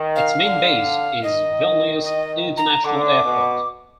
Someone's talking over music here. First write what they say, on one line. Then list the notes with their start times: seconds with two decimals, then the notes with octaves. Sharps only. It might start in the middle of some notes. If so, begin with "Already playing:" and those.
Its main base is Vilnius International Airport.
Already playing: D#3
0.15 F5
0.43 D3
1.23 D#3 D#5
2.03 D#5
2.57 A#5
2.84 D3 D6
3.24 B2